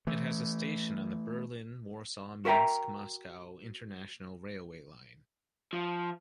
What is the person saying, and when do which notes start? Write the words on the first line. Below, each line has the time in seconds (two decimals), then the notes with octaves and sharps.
It has a station on the Berlin-Warsaw-Minsk-Moscow international railway line.
0.07 E3 A3
2.45 F#4 A#4 E5 G5 A#5
5.73 F3